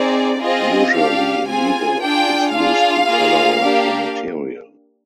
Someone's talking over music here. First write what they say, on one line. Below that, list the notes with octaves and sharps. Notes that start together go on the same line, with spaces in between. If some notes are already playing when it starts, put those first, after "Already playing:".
Usually indigo is used to colour the material.
Already playing: C4 D#4 G#4 D5
C4 F4 G#4 D#5
D4 G4 F5
C4 F4 G#4 G#5
D4 F4 G#4 G5
D4 F4 G#4 F5
A#3 F4 G#4
A#3 D4 G4